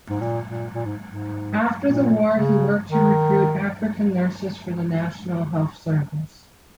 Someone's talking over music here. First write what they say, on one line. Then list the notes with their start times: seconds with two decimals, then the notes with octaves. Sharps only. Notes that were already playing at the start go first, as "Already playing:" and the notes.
After the war he worked to recruit African nurses for the National Health Service.
0.09 G#2
0.21 A#2
0.48 A#2
0.74 A#2
0.85 G#2
1.06 G#2
1.83 A#2
2.36 C#3
2.90 D#3